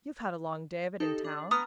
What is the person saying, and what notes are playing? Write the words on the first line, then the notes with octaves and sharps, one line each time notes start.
You've had a long day of it in town.
D#4 G4 A4
D4
B3 A#5 D#6 F6